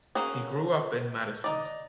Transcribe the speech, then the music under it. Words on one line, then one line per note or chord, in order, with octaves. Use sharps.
He grew up in Madison.
A#3 C#4 F#4 G#4
D#4 D5